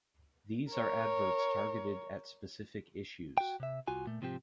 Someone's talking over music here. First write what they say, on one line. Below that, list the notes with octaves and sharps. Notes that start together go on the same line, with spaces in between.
These are adverts targeted at specific issues.
A#4 C#5
F#4 G5
C3 E5
C2 F4 F#4 G#5
A#2 A3
G#2 C3 F3 C4 G4